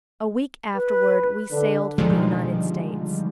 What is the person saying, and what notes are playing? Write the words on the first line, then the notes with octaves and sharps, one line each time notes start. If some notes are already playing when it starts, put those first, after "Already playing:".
A week afterward we sailed for the United States.
B4
D3
B2 D3 D#3 F3 G3 G#3